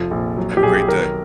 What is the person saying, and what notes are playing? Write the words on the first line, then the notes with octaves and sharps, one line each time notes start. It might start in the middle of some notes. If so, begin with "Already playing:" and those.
Have a great day.
Already playing: F1 F3
A#1
F#3
G4
B1 G#4
D#3 A#4